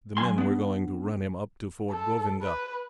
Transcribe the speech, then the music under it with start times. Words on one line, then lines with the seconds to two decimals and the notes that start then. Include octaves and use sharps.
The men were going to run him up to Fort Govindghar.
0.17 F#2 G#5 C6
0.38 B3 D4
1.91 A4
2.42 B4